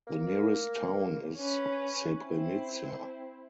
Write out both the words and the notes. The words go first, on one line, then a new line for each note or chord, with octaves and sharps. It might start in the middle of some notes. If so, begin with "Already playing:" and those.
The nearest town is Srebrenica.
A#3
C#4 B4
C4 E4